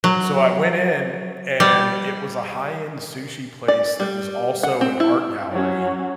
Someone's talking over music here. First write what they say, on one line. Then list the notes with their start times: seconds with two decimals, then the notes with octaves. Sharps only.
so, I went in, and it was a high-end sushi place that was also an art gallery,
0.04 F#3
1.60 G3
3.68 D5
4.00 G3
4.63 F#5
4.81 C4
5.00 E4
5.51 F#3 C#4